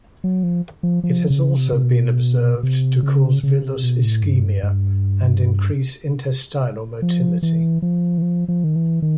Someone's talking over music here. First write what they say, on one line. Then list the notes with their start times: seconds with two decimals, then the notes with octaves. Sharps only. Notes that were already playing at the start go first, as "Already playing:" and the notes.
It has also been observed to cause villus ischemia, and increase intestinal motility.
0.24 F#3
0.43 F3
0.83 F3
1.04 F3
1.30 C#3
1.57 C3
1.72 C3
1.83 B2
2.63 C3
3.03 C#3
3.43 C#3
3.63 C3
3.84 B2
4.03 A2
4.23 G2
4.63 G2
7.02 F3
7.43 E3
7.82 F3
8.18 E3
8.22 F3
8.48 F3
8.64 D#3
8.76 E3
9.02 D#3